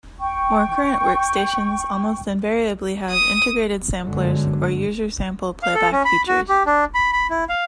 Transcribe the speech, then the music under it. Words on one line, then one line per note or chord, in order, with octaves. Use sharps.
More current workstations almost invariably have integrated samplers or user sample playback features.
G5 C#6
D#6
G1 F#2 D3 F#3 G#3
F5
A4
C#4
B5
F#4
G4
D4
B5
B5
E4
F5